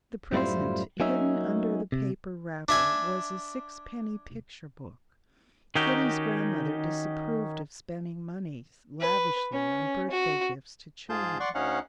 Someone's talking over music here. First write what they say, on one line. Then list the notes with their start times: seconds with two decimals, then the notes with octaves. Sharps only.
The present hidden under the paper wrapper was a sixpenny picture-book. Kitty's grandmother disapproved of spending money lavishly on birthday gifts to children.
0.33 F#2 A2 G3 E4 F4 C5
1.00 F#3 A#3 C#4 D#4 E5
1.92 C3
2.69 D4 E5 G#5
5.75 D#3 C#4 D#4 F#4 G4
9.01 B4
9.52 C#4
10.11 F#4
11.09 G#2 F4 G#4 A5 G6
11.40 D5 F#5 C6 C#6
11.55 D2 C#4 D#4 F5 F#5